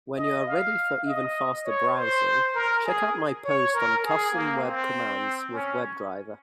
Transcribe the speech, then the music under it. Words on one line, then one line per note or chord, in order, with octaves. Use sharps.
When you are ready for even faster browsing, check out my post on Custom web commands with WebDriver.
D#5
F5
D#5
C#5
C5
A#4
G#4
C#5
A#4
G#4
A#3
C4
C#4